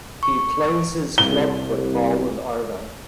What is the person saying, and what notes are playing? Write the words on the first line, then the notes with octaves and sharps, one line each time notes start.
He plays his club football with Arva.
C#6
C2 G7